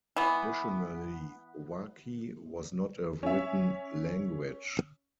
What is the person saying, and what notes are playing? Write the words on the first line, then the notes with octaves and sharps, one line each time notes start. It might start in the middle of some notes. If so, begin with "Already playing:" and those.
Traditionally Wakhi was not a written language.
E3 B3
C#4 E5